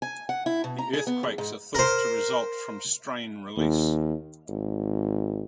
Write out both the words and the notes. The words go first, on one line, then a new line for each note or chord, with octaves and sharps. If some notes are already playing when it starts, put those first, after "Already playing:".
The earthquakes are thought to result from strain release.
G#5
F#5
E4
B2
A#5
G#4
B3
E2
G#2
A#4 C5
D#2
G#1